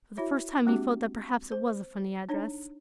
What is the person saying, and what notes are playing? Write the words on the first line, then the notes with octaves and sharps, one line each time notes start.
For the first time he felt that perhaps it was a funny address.
E4 F#4 C#5 E5
G#3 A#3 C4 D4 F#4 G4
C5
D4 D#4 C#5